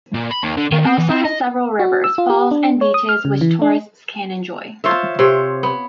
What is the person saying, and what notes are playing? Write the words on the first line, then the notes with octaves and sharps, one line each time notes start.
It also has several rivers, falls, and beaches, which tourists can enjoy.
A#2
B5
D#2
D3
D#3
C4
E3
C4
D#5
F#4
E6
F4
G4
D4
C#5
D#6
F6
C#3
E3
D4
F4 C5 C#5 E5
C3 C5 C#5
B3